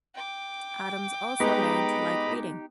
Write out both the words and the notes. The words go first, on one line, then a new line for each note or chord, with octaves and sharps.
Adams also learned to like reading.
G5 D6
G#3 B3 D#4 G4 D#5 A#5 B5